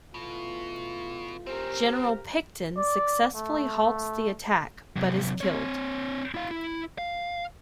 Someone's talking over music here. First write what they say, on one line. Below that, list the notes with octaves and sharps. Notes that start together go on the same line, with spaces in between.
General Picton successfully halts the attack but is killed.
B2 E3 A3 F4
C4 C#4 G4 A#4 C5
D5
A3
C3 F#3
C4 C#5
E4 F5
E4
F5